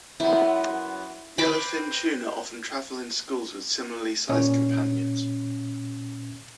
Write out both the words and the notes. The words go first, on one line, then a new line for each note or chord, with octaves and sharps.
Yellowfin tuna often travel in schools with similarly sized companions.
F#2 B3 E4
C4 B4 B5 D6
A#2 C#4